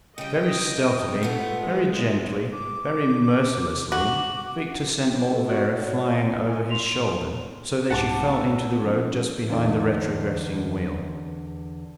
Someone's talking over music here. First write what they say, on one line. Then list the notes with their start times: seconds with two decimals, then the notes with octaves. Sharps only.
Very stealthily, very gently, very mercilessly Victor sent Morlvera flying over his shoulder, so that she fell into the road just behind the retrogressing wheel.
0.18 C#3 G3 D#5 G5
1.23 A3 B3 F4
1.59 G#3
2.52 D6
3.92 F#4
5.07 G5
5.32 A4
5.49 F#4 D5
5.85 C#5
6.47 G#5
6.70 C6 F7
6.85 C6
7.90 C2 G#2 F#5 A5 D6
8.34 E6
8.80 F3 A#3 C#4
9.49 E2 D3 D4 D#4 D5